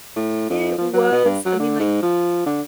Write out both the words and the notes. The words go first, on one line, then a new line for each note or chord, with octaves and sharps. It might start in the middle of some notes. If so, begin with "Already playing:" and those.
I It was. I mean, like,
A2
F2
F3
F#3
B2
G2
F#3
D3
G#2
F3
D3